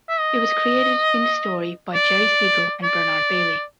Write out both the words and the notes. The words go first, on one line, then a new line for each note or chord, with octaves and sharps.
It was created in this story by Jerry Siegel and Bernard Baily.
E5
D#5
D5
D5